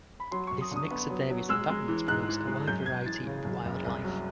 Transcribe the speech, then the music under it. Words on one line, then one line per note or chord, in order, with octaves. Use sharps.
This mix of various environments promotes a wide variety of wildlife.
B5
F#3 C6
F#2 C#6
D#6
D3 D#6
B3
F#3
F#3
G#3 E6
G#3
E3
G#2 F#6
E3
G#3
F#2 G6
F#2 G#6
E3 A6
C#3
F#2
F#1
C2
F#3